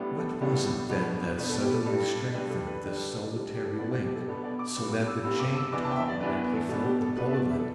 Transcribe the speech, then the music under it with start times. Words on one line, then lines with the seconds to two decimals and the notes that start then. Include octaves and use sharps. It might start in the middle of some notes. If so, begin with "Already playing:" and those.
What was it, then, that suddenly strengthened this solitary link so that the chain tautened and he felt the pull of it?
Already playing: A2 G3 B3 D4
0.17 A4
0.41 A2 G3 B3 D4
0.89 B2 B3 D4
1.37 B2 B3 D4 B4
1.50 A4
1.62 G4
1.70 B4
1.73 A4
1.85 G2 G3 D4
2.34 G2 G3 D4 B4
2.50 A4
2.67 B4
2.83 D3 G3 D4
3.30 D3 G3 D4
3.55 G4
3.63 A4
3.71 B4
3.78 B2 B3 D4 D5
3.91 D5
4.03 G4
4.15 A4
4.22 G4
4.27 B2 B3 D4 A4
4.44 D5
4.59 D6
4.76 G2 G3 B3
4.92 D6
5.07 E6
5.23 G2 G3 B3 E6
5.40 D6
5.56 E6
5.72 E2 E3 B3 D4 D6
5.84 A5
5.91 G5
5.96 E5
6.08 D5
6.20 E2 E3 B3 D4 B4
6.37 B4
6.53 A4
6.69 B2 B3 D4
6.85 G4
7.01 A4
7.16 B2 B3 D4 B4
7.27 E5
7.33 D5
7.50 E5
7.59 A4